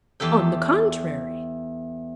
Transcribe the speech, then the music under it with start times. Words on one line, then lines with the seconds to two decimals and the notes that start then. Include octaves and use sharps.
On the contrary!
0.20 E2 G4 A4 G5